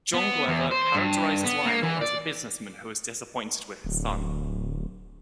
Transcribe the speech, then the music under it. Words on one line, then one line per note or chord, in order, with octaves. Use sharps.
John Glover characterizes Lionel as a businessman who is disappointed with his son.
B3
E2
C5
G2
B3
A#3
E3
D5
D1